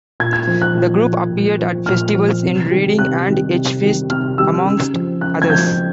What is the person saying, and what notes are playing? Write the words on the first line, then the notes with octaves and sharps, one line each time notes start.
The group appeared at festivals in Reading and Edgefest, amongst others.
A#2 G#6
G#6
F3
F#6
A#2
F3
A#2
F3
A#2 F6
F3
C3
D#3 G3
C3 F#6
D#3 G3
C3
D#3 G3
C3 F6
D#3 G3 E6
C#3
F3
C#3 F#6
G#6
F3 G6
C#3